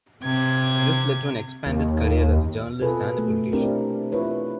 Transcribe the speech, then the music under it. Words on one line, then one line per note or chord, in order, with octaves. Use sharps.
This led to an expanded career as a journalist and politician.
C3 G#6
D#2
B2 C4 F4 G#4 A4 B4
A3
C4 D4 E4 G4 A#4
E4 F4 B4 C#5